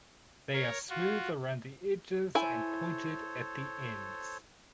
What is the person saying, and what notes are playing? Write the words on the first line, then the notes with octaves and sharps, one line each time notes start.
They are smooth around the edges and pointed at the ends.
A#4 C#5
F4 F#4
E4 A4 C5 C#5 G#5